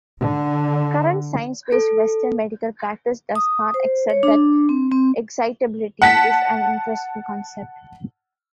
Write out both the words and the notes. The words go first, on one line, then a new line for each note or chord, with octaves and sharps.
Current science-based Western medical practice does not accept that excitability is an interesting concept.
D3
A4
D#6
C5
C#5
D4
C4
C4
F#5 A5 B6